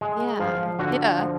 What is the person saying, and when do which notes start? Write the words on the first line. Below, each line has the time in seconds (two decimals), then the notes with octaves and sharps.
Yeah. Yeah.
0.01 G#3
0.40 F3 F5
0.79 D3 F#4
1.18 F3